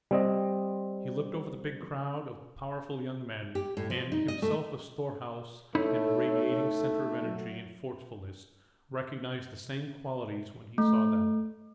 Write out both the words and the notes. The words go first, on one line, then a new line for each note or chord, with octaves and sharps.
He looked over the big crowd of powerful young men, and, himself a storehouse and radiating center of energy and forcefulness, recognized the same qualities when he saw them.
G3 C4 D#5
G4
A2
F3
D#4
D#5
A3
A3 D#4 E4 A4 C#5 B5
F#3
A3